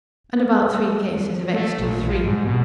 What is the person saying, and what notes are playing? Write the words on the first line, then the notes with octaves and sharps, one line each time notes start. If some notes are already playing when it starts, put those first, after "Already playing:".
And about three cases of Extee Three.
A3
A#1
F3
G#2
B2